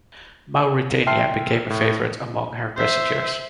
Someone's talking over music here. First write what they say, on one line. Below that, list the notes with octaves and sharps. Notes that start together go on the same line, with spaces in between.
"Mauretania" became a favourite among her passengers.
E5 G5 A5 C6 F6 C7
A2
C5 E5